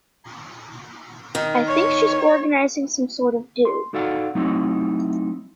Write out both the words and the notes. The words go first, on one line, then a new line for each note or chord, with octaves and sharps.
I think she's organising some sort of do.
D#3
C#5
C6
D#4 F#4 A4 D5 F5 F#5
F#3 A3 C4 D#4 E4 D#5